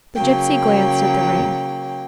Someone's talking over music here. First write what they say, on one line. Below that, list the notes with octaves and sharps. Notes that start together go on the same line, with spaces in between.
The gipsy glanced at the ring.
C#3 F#3 A#3 G5